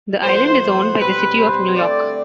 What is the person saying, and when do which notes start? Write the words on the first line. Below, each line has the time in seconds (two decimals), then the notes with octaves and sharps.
The island is owned by the city of New York.
0.22 A2 F3 B3 C5
0.61 C5
0.99 B2 G3 C4 B4
1.38 C5
1.76 D3 A3 C4 D5